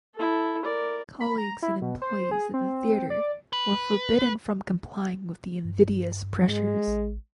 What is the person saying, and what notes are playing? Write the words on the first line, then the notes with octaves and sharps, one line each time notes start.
Colleagues and employees at the theatre were forbidden from complying with the invidious pressures.
E4 A4
A#4 D5
B5
A#5
E4
B2
C5
G#4
C4
D5
B4
G2
G#2 G#3
A1